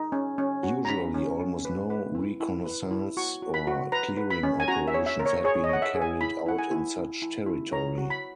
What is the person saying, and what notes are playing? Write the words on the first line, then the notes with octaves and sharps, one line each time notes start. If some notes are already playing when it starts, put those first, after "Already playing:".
Usually almost no reconnaissance or clearing operations had been carried out in such territory.
Already playing: D#4
C#4
C#4
F#4
A#5
C#4 B5
C#4
C#4
B4
B4
E4
E4
B4
E4
F#4 C#6
F#4
B5
F#4
B4 A#5
B4
B5
C#4
G#5
F#4 A#5
E5
C#5
E5
A#4
C#5
G#4 C#5
D#5
C#5 F#5
E5
G#4
G#5
E4 B5
E4 F#5
G#5
E4
E4
E4
E4
C#5 A#5
F#4
B5